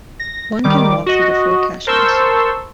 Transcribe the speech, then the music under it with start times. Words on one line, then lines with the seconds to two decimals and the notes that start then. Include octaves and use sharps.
One can walk through the four caissons.
0.20 A#6
0.64 D#3 G3 D6
1.06 F#4 D#5
1.87 A#4 C5 A5 C6 C#6 E6